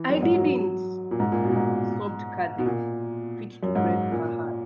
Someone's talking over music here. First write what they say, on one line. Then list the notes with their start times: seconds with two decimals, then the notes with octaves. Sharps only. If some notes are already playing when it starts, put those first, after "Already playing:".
'I didn’t!’ sobbed Cathy, fit to break her heart.
Already playing: E3
0.10 F#2
0.22 G#2
0.34 F#3
0.46 F#3
1.11 A#2
1.20 G#2
1.32 A#2
1.44 B2
1.51 A#2
1.56 G#2
2.58 B2
2.66 A#2
3.63 F#2
3.75 G#2
4.12 A#2